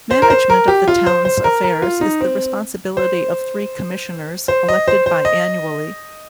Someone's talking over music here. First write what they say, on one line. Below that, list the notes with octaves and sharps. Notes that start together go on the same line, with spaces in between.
Management of the town's affairs is the responsibility of three Commissioners, elected biannually.
C5
A#4
C5
A#4
G4
F4
C5
C5
A#4
A#4
F4
D#4
C4
C5
C5
D#5
C5
C5
D#5